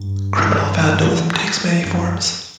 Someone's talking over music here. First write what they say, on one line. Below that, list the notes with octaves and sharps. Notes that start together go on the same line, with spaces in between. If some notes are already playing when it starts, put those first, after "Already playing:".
Criminal vandalism takes many forms.
Already playing: G2
F#2